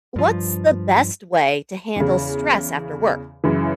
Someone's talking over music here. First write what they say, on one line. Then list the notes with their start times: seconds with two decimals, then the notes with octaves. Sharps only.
What's the best way to handle stress after work?
0.16 G2 F3
1.96 E2 C#3
3.44 F#2 C#3 E3